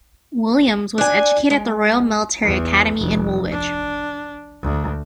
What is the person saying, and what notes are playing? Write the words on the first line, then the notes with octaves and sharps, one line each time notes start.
Williams was educated at the Royal Military Academy in Woolwich.
D4 G#5
G#3
E2
F1
D4
D2